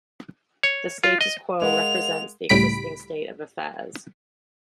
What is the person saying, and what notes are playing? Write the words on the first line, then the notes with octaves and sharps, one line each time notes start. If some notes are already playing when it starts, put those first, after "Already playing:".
The status quo represents the existing state of affairs.
C#5
F4
D#5
G#3 A#4 F5 F#5 F7
C#2 A2 G3 B5 B6 D7